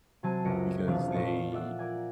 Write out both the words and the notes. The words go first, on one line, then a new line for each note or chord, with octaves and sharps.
because they
C3 F#3 G#5 A5 C6 D#7
C#2 F#2 A#6 C#7 D7
E1 C3 F3 B3 D4 F5
F1 A#2 D#4 A4 C#7
F4 D5 E5 F#5
A#4 D5 G#5